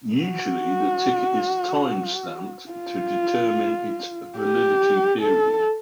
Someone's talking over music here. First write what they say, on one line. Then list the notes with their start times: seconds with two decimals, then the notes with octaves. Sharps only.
Usually, the ticket is time-stamped to determine its validity period.
0.21 F#4
2.71 F4
4.38 G4
5.21 A4